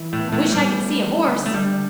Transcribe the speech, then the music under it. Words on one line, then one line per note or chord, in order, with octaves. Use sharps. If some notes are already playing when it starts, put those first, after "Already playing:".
"I wish I could see a horse."
Already playing: E3
A2 A3
B3
A2 A3
B3
G3
A3
A3
D3
A3
D3 G3